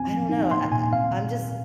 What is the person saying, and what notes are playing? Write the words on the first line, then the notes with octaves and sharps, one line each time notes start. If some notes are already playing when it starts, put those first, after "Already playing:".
I don't know, I I I'm just
Already playing: C4 G#5
F3
D#4
A#3 C6
A#2 G#5
C4 F5